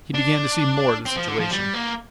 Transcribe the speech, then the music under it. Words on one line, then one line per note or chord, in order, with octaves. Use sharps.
He began to see more of the situation.
D4
C4
F3
D3
F3
G3
A#3